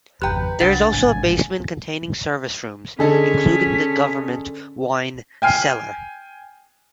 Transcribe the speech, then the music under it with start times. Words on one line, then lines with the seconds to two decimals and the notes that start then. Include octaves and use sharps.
There is also a basement containing service rooms, including the government wine cellar.
0.22 G#1 F2 G4 B4 G5 A#5 F#6 G6
0.61 C2 D4 F#5 G5 A6
0.92 A1 G#2 C3 G#5
2.99 D3 C#4 D#4 G#4 A4 B6
5.42 G5 G#5 F6 C7